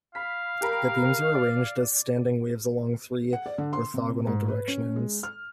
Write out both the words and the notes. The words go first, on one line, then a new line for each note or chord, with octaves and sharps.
The beams are arranged as standing waves along three orthogonal directions.
F5 B5 B6
G4 A#4 B5
D5
F#5
D5
D3
C6
C3
G#2
B4
C#4
G#3
F6